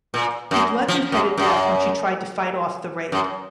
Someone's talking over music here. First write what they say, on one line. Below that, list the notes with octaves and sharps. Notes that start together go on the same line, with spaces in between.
He bludgeoned her to death when she tried to fight off the rape.
A#2
F#2
F3
F#2
F#2
F#2